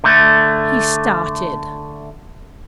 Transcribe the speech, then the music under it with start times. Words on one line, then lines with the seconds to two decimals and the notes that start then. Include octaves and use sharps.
He started.
0.04 D3 A3